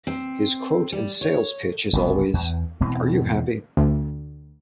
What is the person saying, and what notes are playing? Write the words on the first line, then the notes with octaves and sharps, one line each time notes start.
His quote and sales pitch is always Are you happy?
C4
G3
C#5
F#1 C2 B3
E2
E1 B2 E3 C4
D2